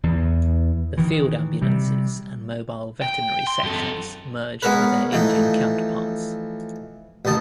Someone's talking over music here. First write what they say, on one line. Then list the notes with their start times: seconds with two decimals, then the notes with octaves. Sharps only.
The Field Ambulances and Mobile Veterinary Sections merged with their Indian counterparts.
0.03 E2 E3
0.97 D#3 E3
1.61 C3 G3
3.02 G5
3.47 C6
3.63 F#2 A4
4.62 G#3 B3 C#4 A#4 B4
5.12 E3 F3 A3 D#4
7.25 A1 D#2 D#3 A5 D#6